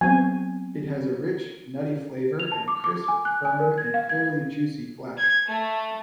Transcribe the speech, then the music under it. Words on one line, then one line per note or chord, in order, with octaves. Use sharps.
It has a rich, nutty flavour and crisp, firm and fairly juicy flesh.
F#3 B3 C4 G#5
F7
A5
D6
D6
G#5
F#6
G#5
A#4
G#6
F5
G#6
G#6
A3